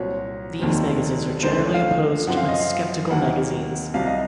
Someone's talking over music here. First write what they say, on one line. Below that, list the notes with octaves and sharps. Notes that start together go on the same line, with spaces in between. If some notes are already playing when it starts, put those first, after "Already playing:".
These magazines are generally opposed by skeptical magazines.
Already playing: C2 A#2 F#3 C4 C#5
F1 D#2 D#3 F#3 C4
C#2 C#3 F3 A3 C5
C5
C#5
F5
F#2 F3 C4 F#5
F5
D#5
F5
D#2 D#3 F#3 A#3 F#5
C2 C3 F#3 F5
D#5